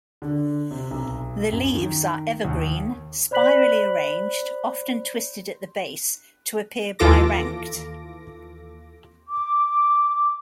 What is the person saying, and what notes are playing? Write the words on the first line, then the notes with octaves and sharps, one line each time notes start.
The leaves are evergreen, spirally arranged, often twisted at the base to appear biranked.
D3
C3
B1
F#2
D#3
D#2
C5 D5 B5 F#6 B6 F#7
D#2 E3 F4 A4 D6 A#6
D6